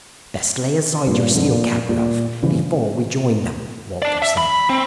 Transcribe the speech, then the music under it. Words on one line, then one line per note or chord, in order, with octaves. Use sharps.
"Best lay aside your steel cap, Ralph, before we join them," Walter said.
G2 A#2
F2 G#2 D3
A#2
A#2
G2 C#3 E3 F3
D5 A5
E5
B5
C4